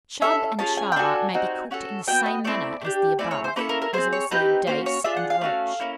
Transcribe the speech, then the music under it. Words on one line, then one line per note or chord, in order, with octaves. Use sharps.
Chub and Char may be cooked in the same manner as the above, as also Dace and Roach.
C#4 E4 A4 E5
C#4 F4 G#4 A5
G#5
G5
D4 F#4 A4 G#5
C4 D#4 F#4
C#4 F#4 A4
B3 D#4 F#4 G5
D#5
A3 C4 E4 D5
A3
D4 G4
A3 C4 E4 G#4 D5
C#5
C5
A#3 C#4 E4 A4 B4
A#4
A#4
C4 E4 G#4 C5
C#5
C4 D#4 G4 B4
A#3 C#4 F#4 C5
C#5
D4 F4 G#4 E5
F#5
F5
A3 C#4 F#4
A#3 C#4 E4